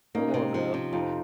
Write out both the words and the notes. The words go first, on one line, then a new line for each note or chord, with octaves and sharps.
Come on, now.
A#3 C#4 D#4
C3
F3
C3
F2 D#4 F4